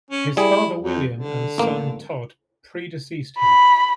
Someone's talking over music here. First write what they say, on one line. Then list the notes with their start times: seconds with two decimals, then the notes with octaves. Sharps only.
His father William and son Todd predeceased him.
0.11 C#4
0.37 G3 E4 G#4
0.81 F2
1.16 D3
1.58 A1 A#3
3.39 B5